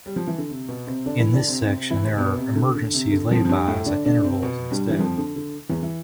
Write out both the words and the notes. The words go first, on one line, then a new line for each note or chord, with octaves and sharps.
In this section there are emergency lay-bys at intervals instead.
G3
F3
E3
D3
C3
B2 B3
C3 C4
D3 D4
E3 E4
D3 D4
C3 C4
C3 C4
C3 C4
E3 E4
C3 C4
B2 B3
C3
D3
D3
C3
D3
F2 F3
F3
G2 G3
A2 A3
D3 D4
D3 D4
C3 C4
B2 B3
G2 G3
E3
F2 F3
D3
D3
E2 E3
E3